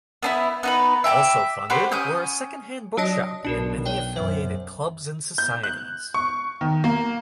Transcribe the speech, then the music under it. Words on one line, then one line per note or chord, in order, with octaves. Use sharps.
Also funded were a second hand bookshop and many affiliated clubs and societies.
B3 D4 E4
B3 D#4 B4
E5 G5 G#5 D6
F#4 G4 B4 C5
C#4 D#6 G6
F#3 D4 D#5
B1 D4 E4 F#4 A#4
C#5 D5 G5
F#2 C5 E5
G6
F#6
C#6
D#3
A#3